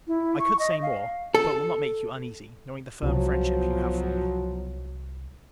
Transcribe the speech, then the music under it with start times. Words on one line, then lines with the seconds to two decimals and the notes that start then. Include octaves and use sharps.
I could say more; but will not make you uneasy, knowing the firm friendship you have for me.
0.07 E4
0.39 C#6
0.59 D#5
0.82 F5
1.35 A4
3.03 C2 B2 F3 F#3